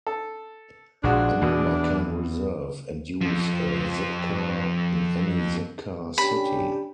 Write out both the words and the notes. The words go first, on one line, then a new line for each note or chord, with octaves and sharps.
A member can reserve and use a Zipcar in any Zipcar city.
A4
A#1 F3 G#3 D4 F#4
E2 B2 E3
F2 F3
C#4 D4 G4 B5